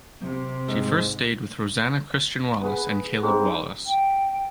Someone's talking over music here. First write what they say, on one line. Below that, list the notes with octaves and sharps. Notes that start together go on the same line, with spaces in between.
She first stayed with Rosanna Christian Wallace and Caleb Wallace.
C3 F#3
G#2
B3 G#4 B4
C4 D#4 G#4
G5